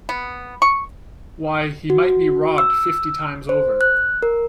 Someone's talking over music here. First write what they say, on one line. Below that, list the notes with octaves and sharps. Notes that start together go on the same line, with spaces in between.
Why, he might be robbed fifty times over!
B3
C#6
F#4
E6
C5
F#6
A#4